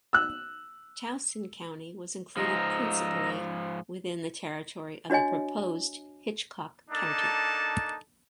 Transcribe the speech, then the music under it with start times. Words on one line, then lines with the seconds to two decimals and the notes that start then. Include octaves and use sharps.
Towson County was included principally within the territory of the proposed Hitchcock County.
0.13 E6 F#6
2.37 G#2 F3 D#5 A#5 E6
5.10 D4 F#4 C#5 D#5 G#5
6.91 A#3 D4 D#4 A4 A5